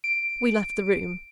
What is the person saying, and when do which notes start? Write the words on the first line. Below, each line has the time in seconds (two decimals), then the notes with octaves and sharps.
We left the room.
0.04 D7